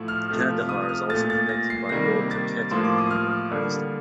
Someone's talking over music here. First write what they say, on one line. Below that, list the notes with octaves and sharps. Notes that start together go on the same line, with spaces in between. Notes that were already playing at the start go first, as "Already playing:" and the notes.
Kandahar is also connected by road to Quetta in neighboring Pakistan.
Already playing: A2 F3 A3
F6
C3 F3 A3
D#6
F6
A#2 A3 A6
A6
A#6
C7
C3 D#3 G3 A#3 A#6
A6
A2 F3 A#3 C6
D6
D#6
F6
D3 G3 A#3